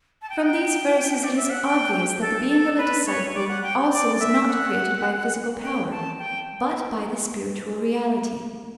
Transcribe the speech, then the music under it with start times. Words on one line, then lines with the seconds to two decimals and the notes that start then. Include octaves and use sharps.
From these verses it is obvious that the being of a disciple also is not created by physical power, but by the spiritual reality.
0.22 A5
0.30 G5
0.37 F#5
0.45 G5
1.23 D5
1.37 E5
1.50 F#5
1.64 G5
2.21 A4
2.50 A4
2.78 B4
3.06 C#5
3.35 D5
3.48 F#5
3.63 G5
3.92 D5
4.20 E5
4.48 F#5
5.63 G5
5.91 A5
6.19 G5